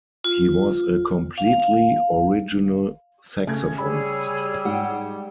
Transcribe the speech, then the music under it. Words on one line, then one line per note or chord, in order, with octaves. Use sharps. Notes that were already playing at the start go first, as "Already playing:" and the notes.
He was a completely original saxophonist...
F4
F5
C#3 A3 G#6
G3 G#4 C#5 B5 E6
G#2 F#5 G5